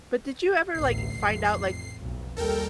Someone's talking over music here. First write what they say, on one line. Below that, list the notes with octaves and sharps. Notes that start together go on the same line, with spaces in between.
But did you ever, like, find out, like,
A1 D2 B2 C7
A1 F2
B1 F2
D#2 G3 A4 A#4 G5